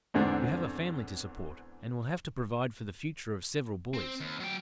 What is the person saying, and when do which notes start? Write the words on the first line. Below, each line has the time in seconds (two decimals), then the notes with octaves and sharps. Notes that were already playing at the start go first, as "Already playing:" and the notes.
You have a family to support and will have to provide for the future of several boys.
0.14 E2 G#2 D3 C4 D4
3.94 C4
4.20 D#2
4.40 F#3 G5